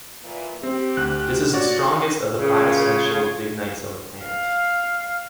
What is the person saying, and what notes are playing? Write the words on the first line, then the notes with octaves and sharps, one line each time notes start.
This is the strongest of the five essential dignities of a planet.
A#2 E3
C4 G4
D2 F#6
F#4 C#5 D5
C#3 F4 G#4 G#6
F5